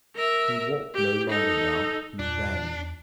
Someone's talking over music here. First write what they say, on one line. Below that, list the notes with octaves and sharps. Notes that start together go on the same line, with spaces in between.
He walked no longer now; he ran.
A#4 E5
G4
D#4 A4
E2 A#2 D4 F#6